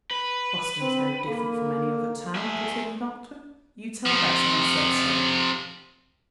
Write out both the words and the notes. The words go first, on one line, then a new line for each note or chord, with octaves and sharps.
Boston's no different from any other town," put in the doctor. "You tell Bess I said so.
B4
C4
A#3 A4
A3 G#4 E5
C3 F3